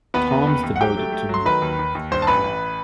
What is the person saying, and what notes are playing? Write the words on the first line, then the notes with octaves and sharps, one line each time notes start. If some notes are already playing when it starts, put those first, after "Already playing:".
Tom's devoted to me.
D#2 B3 B4
D#2
D#2
D#2
F#5
F#3 G4 G5
A3
A3
F#3 C6
D#3 B4 B5
D#2
D#2
D#2
G2 C5 C6
A5
A1 B4 B5
A1